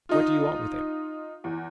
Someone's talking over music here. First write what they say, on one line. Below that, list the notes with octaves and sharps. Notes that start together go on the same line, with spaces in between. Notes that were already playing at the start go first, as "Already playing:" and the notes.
"What do you want with him?"
D#4 F4
E2